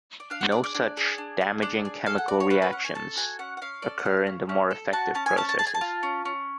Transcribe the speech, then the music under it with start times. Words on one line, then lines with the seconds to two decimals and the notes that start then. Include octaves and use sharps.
No such "damaging chemical reactions" occur in the more effective processes.
0.20 D5
0.30 D4 F5
0.41 F#5
0.52 G#4 D5
0.64 D5
0.75 D4
0.97 G#4
1.18 D4
1.41 G#4
1.62 D4 D5
1.85 G#4
2.06 A4 F5
2.18 F#5
2.28 F#4 D5
2.40 C#5
2.50 C#4 B4
2.62 B4
2.72 C#4 F#5
2.84 G#5
2.95 A4 A5
3.17 F#4 G#5
3.39 C#4 F#5
3.57 F#5
3.61 C#4 F5
3.82 A4 D5
3.99 F#5
4.05 F#4 F5
4.27 C#4
4.49 C#4
4.71 A4
4.93 F#4 A5
5.15 C#4 A5
5.26 G#5
5.37 C#4 A5
5.49 A5
5.59 G#4 A5
5.67 G#5
5.75 A5
5.81 F4
6.03 C#4
6.25 C#4